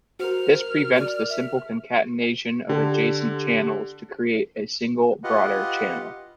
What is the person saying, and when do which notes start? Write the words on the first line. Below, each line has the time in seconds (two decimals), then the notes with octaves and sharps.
This prevents the simple concatenation of adjacent channels to create a single broader channel.
0.20 F#4 A#4 C5 F6
0.97 D5
1.29 E5
2.69 D3 G4 A4
5.24 F4 G4 B4 D#5 F#5